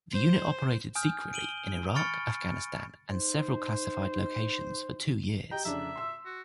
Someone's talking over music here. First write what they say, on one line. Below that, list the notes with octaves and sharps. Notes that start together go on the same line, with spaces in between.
The unit operated secretly in Iraq, Afghanistan and several classified locations for two years.
C5
G#5 D#6 F6 G6
D7 D#7 F#7 G7
B5 C#6 F6 A6 C#7 D7
D#4 C5
G4 D#5 G5 A#5
F1 C#3 D4 E5
C6 E6
F#4